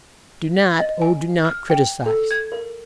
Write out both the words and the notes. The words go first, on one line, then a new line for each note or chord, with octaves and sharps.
Do not--oh, do not--criticise.
D#5
G#5
F6
G5
A4
G#6
A#4